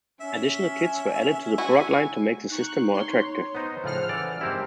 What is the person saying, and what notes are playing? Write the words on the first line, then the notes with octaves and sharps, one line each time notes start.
Additional kits were added to the product line to make the system more attractive.
C#4 E5
E4 F#4 G#5
D#4 C#6 F#6
C#5 C6
B3 D#4 F#4 C5
A2 C#3 F3 F4 F#5 F6
E3 A4 D5
G#2 C4 E4 G4 A#4